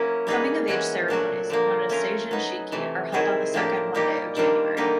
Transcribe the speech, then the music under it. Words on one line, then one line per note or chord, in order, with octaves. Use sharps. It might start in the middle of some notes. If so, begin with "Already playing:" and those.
Coming-of-age ceremonies, known as "seijin shiki", are held on the second Monday of January.
Already playing: F#3 A#3 C#4 E4
G3 A#3 D#4 G#4 B4
E3 G#3 C#4 F#4
A#2 F#3 A3 D4 F#4
D3 F3 A#3
A3 C#4 F4 A#4
F#3 B3 D#4
C3 E3 A3
D#3 G#3 C4 E4 G#4
A2 F3 A#3 D4 G4
A#2 G3 A#3 D#4 G4
D#3 G3 A#3 D4 F4
D3 G3 A#3 D#4 G4